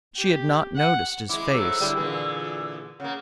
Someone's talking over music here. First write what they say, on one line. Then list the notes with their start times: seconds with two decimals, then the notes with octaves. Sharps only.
She had not noticed his face.
0.17 G4
0.76 F#5
1.29 G#3 E4 D6
1.53 G#2 F#3 A3 E6
1.81 D3 G3 E4
1.96 A#2 D3 E3 G#4
3.00 C#3 A#3 F#5